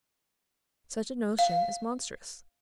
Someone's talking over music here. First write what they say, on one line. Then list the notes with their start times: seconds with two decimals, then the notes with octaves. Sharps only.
Such a notion is monstrous.
1.39 F5